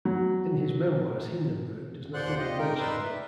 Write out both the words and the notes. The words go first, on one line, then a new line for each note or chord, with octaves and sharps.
In his memoirs Hindenburg does not even mention him.
F#3
D#2 C5 D5 F#5 C6 F#6
F4 G4 D#5
F2 D#3 G#3 D#4 A#4 G5
D#4 A#4 B4 D5 C6 E6
E5